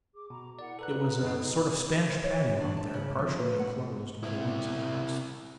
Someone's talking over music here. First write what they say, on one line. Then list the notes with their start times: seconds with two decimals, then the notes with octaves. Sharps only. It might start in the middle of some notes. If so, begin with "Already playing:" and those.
It was a sort of Spanish patio out there, partially enclosed by the wings of the house.
0.14 G#4 D6
0.30 B2 A#5 D6
0.59 E4 A#4 D5 F#5
0.79 A4 B4 A#5 F#6
1.22 F#2 D#4 A4
2.09 C5
2.24 C#5
2.61 D4
2.77 A5
2.94 C#3
3.18 F3
3.39 B4
3.59 F#5
4.23 C3 E4